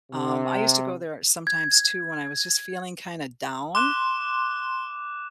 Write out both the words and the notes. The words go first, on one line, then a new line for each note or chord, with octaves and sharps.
um, I used to go there sometimes too when I was just feeling kinda down,
C3
G#6
C6 D6 F#6 E7